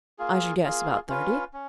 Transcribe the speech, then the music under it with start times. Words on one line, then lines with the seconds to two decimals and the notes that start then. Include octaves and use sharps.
'I should guess about thirty.'
0.18 A#3 F4 G#4
0.64 A#3 F4 G#4
1.08 C#4 F4 B4
1.53 C#4